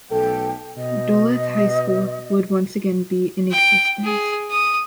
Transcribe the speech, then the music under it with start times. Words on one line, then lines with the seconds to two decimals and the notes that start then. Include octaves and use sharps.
Duluth High School would once again be in existence.
0.11 B1 A3 A4 G5
0.77 B2 D#5
3.51 G5
4.04 G#4
4.51 D#6